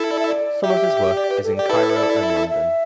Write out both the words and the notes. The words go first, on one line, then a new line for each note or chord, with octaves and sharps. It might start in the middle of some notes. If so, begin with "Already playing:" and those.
Some of his work is in Cairo and London.
Already playing: E4 A4
D5
E5
D5
G4 E5
D5
B4
A4
G4 D5
E4 A4 B4
B4
D5
E5
E5